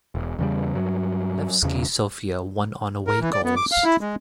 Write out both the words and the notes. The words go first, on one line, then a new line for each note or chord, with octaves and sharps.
Levski Sofia won on away goals.
E1
E2 C#3 G3
G2 F#3
E2 C#3
A#4
E3
D5
B3
D6
F5
E4
G#3